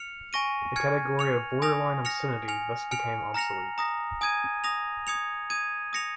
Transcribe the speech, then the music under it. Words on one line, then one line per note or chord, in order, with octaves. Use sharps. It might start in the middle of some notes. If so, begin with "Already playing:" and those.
The category of "borderline obscenity" thus became obsolete.
Already playing: F6 C#7 F7
G#5 C#6 A#6 D#7
G#5 F6 G#6 C#7
F6 C#7 F7
G#5 D#6 A#6 F7
F6 A#6 C#7 F7
G#5 F6 C#7 F7
G#5 F6 C#7 F7
A#5 F6 A#6 C#7 F7
A#5 D#6 A#6
G#5 D#6 G#6 D#7
D#6 A#6 F7
D#6 G#6 C#7 F7
D#6 G#6 D#7
D#6 A#6 C#7 F7